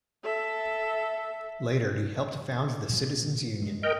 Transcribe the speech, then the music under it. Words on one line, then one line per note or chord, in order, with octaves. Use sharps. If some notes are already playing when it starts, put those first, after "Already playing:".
Later he helped found the Citizens Union.
A4 E5
A#2 F#3
G#3
A#4 D#5 G5